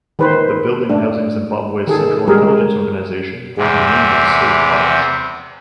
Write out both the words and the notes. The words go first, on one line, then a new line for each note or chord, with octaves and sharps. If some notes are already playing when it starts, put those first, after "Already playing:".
The building housing Zimbabwe's Central Intelligence Organization bore the name of Sir Charles.
D#3 B4 C5
A3 D4
D#3 G#4 A4
G3 G#3 G4 G#4 A#4
E2 C3